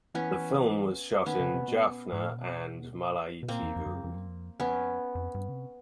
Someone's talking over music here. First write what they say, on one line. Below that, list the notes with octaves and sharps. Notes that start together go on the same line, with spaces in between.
The film was shot in Jaffna and Mullaitivu.
E3 B3 C#4
D#3 B3 C#4
C#3
C3
B2
G#2
A2
A#2
B2
B2
A#2 A#3 C4
E2
F2
F2
F#2
F2
F#2
F2
F2 B3 C#4
F2
G2
C#3
C3